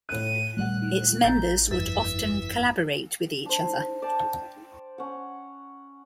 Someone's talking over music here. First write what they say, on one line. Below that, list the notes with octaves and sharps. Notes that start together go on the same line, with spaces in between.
Its members would often collaborate with each other.
A2 F#6 D#7
D#1 G3 A3 F#5 F#6
A1 A#5 G6 A6
G1 F2 E4 B4 E5 A6
D4 C5
D5 G5 A5
C#4 F#5